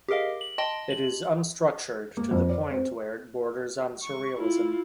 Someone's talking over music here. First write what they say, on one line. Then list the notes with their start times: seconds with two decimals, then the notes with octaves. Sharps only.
It is unstructured to the point where it borders on Surrealism.
0.08 G4 G#4 A#4 D#5 F5
0.41 F#7
0.58 D#5 G5 A5 C6
0.90 F#7
2.17 A#3
2.31 F2
2.49 D5
2.71 C4
4.03 C#6
4.38 E4 F4